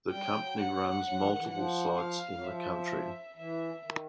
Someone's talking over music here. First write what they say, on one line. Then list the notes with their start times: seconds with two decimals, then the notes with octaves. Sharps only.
The company runs multiple sites in the country.
0.11 G3 G5
0.21 F#3
0.28 F3
0.37 F#3
0.58 F#5
1.05 F#3
1.17 F3
1.24 D3
1.28 D#3
1.39 E3
1.51 F3 F#5
1.98 F5
2.36 F#3
2.44 F3 E5
3.37 E3 E5
3.83 D#3